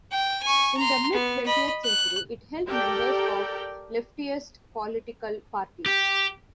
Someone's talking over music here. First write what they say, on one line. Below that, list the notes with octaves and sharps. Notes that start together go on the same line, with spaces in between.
In the mid twentieth century it held members of leftist political parties.
G5
G#5 C#6
A#5 C6
B3
D#5 B5
F#6
G4 A4 A#4 D5 G5
G4